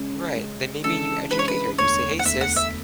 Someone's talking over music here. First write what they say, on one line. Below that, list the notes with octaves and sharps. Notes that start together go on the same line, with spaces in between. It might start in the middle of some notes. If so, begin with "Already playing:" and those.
Right, then maybe you educate her, you say, "Hey, sis"
Already playing: C#3 G#3 C#4
C#3 G#3 C#4
C#3 E3 G#3 D4 A4
C#3 E3 G#3 D4 B4
C#5
B4
E1 D2 D3 C#5
F#5
E1 D2 D3 E5
F#5
E5